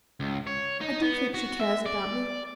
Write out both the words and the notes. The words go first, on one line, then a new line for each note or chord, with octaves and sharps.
I do think she cares about me.
C#2
C#5
D#4
B3
F#4
E5
D5